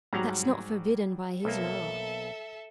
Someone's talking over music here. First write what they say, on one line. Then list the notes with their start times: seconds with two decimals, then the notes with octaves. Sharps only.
"That's not forbidden by his law."
0.13 G#2 F#3 G3 A#5
1.45 B1 A#3 A4 E5